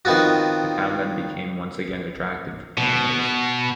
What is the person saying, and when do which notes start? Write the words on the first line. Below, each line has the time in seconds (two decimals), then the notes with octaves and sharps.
The town then became once again attractive for families.
0.05 D#3 B3 C4 F4 F#4
2.78 B2